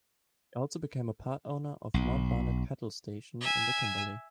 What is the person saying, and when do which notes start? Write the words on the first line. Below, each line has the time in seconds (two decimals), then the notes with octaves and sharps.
He also became a part owner of Mount Barnett cattle station in the Kimberley.
1.94 B1
3.41 E5 G#5